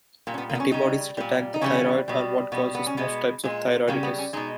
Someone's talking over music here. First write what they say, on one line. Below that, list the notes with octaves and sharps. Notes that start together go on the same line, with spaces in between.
Antibodies that attack the thyroid are what causes most types of thyroiditis.
A#2 G3 A#3
C#4
B3
A#3
B3
C#4
C#3 G3 D#4
A#2 G3
D#4
C#3 E3 G3 C#4
B2 G3
B2 G3 B3
B3
C#4
B2 G#3 B3
A#2 G#3
C#3 G3 A#3
B3
C#4
B2 G#3 D#4